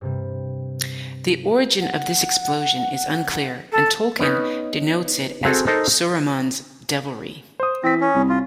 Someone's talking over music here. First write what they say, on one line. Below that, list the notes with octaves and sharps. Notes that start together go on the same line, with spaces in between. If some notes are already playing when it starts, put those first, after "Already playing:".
The origin of this explosion is unclear and Tolkien denotes it as "Saruman's devilry".
G2 C3 G3
F#5
A4
B3 C#4 D#4 B4
C4 F#4 G#4 A4 F#5 G#5
D#4 A4 A#4 C5
C5 D#6
E3 C4 A#6 B6
C#4
C2
F4